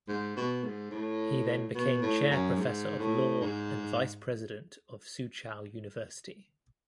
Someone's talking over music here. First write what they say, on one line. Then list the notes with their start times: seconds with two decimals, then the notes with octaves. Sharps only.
He then became chair professor of law and vice president of Soochow University.
0.08 G#2
0.37 B2
0.64 G#2
0.91 A2
1.75 B2
2.02 A2
2.30 F#2
2.57 G#2
2.99 A2
3.41 G#2